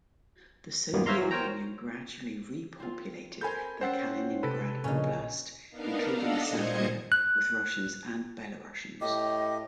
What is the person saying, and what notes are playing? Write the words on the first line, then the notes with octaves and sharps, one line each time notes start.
The Soviet Union gradually repopulated the Kaliningrad Oblast, including Sambia, with Russians and Belarusians.
F#2 A#2 D#3 A#3 B3
C5 C#5 E5 F5 A#5 C6
E3 F#3
A#4 C5 C#5 G5 A#5
C4 F4
A4 A#4 C5 G#5 B5 G6
C#4 C5 F#5 G5 E6 A6
C3 A4 B4 B5 D7
A#1 A#2 C#3 C#4 D#4
B3 D4 D#4 A#4 F5
D4 A4 D#5 F5 F#5 E6
A#2 G3 C5 D#5 G#6 C#7
F#6
A2 G4 D#5